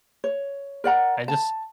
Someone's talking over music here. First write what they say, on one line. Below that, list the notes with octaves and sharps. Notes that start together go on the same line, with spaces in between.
I just
C#5
A#4 D5 F#5 A#5
A5